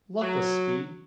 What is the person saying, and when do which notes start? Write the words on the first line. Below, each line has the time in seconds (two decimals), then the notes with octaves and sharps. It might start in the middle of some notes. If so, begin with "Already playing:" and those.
Luckless speed!
0.22 F#3